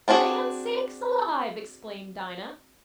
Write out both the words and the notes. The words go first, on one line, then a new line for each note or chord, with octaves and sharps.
"Land sakes alive!" exclaimed Dinah.
B3 C4 D4 F#4 G#4